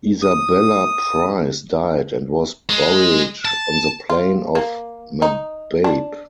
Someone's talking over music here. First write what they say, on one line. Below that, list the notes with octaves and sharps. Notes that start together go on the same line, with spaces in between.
Isabella Price died and was buried on the plain of Mababe.
D#6
G#3
A5
F4
A#3
D#4
D4